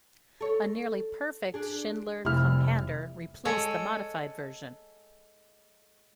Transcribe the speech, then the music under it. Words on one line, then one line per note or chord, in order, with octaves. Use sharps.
A nearly perfect Shindler Compander replaced the modified version.
A4 C#5
D4 G#4
F1 G3 E4 F6
G#3 A4 C#5